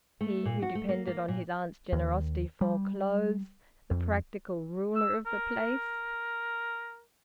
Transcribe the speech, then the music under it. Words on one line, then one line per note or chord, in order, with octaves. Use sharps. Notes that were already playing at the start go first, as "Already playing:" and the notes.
He, who depended on his aunt's generosity for clothes, the practical ruler of the place!
A3
A#2
F#4
A3
A#3
A#3
A#2
D#2
G3
F2
E6
A#4